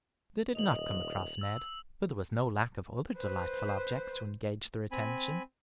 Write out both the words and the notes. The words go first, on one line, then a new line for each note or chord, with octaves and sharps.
They did not come across Ned, but there was no lack of other delightful objects to engage their attention.
D#1 D#5 F7 F#7
E6
B4 C5
C4 G#5 B5